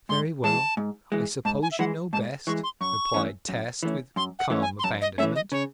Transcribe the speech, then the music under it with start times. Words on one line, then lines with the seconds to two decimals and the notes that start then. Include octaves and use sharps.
"Very well; I suppose you know best," replied Tess with calm abandonment.
0.09 G#2 C6
0.44 E3 G#3 A5
0.77 G#2
1.12 E3 G#3
1.45 G#2 A5
1.62 G#5
1.72 E5
1.79 E3 G#3 F#5
2.13 G#2 A5
2.47 E3 G#3 C#6
2.63 C6
2.81 F#2 C#6
3.14 E3 A3 C#4
3.49 F#2
3.83 E3 A3 C#4
4.16 F#2 C6
4.39 F#5
4.50 E3 A3 C#4
4.62 G#5
4.79 C6
4.84 F#2 A5
5.01 D#5
5.18 E3 A3 C#4 E5
5.35 D#5
5.52 C#3 C#5